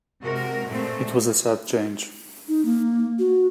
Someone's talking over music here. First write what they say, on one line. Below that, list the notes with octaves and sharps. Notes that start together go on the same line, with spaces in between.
It was a sad change.
C3 G#3 F#4 A#4
A#2 G#3 A3 C4
D#4
A#3
F#4